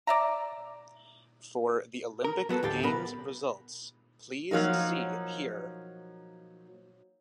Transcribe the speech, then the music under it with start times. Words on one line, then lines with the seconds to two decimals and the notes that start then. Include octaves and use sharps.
For the Olympic Games results, please see here.
0.07 D5 E5 A#5
2.24 A#4
2.49 F#3 B3 F#4 A4
2.63 D2 A2 G4 A4 F5
2.83 B1 B3 A#4 B5
4.51 F3 F#3 A#3 D#4